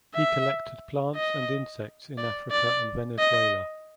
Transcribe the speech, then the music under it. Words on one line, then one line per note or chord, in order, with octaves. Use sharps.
He collected plants and insects in Africa and Venezuela.
E5
D#5
D5
D5
D#5